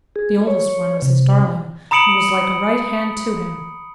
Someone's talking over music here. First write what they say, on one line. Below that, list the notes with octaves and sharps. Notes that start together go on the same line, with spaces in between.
The oldest one was his darling, and was like a right hand to him.
G#4
C#5
C3
A#5 B5 D#6 C#7 D7 F#7